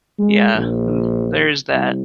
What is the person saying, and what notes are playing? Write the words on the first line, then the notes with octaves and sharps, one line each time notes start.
Yeah, hmm, there's that.
G#3
A#1
C2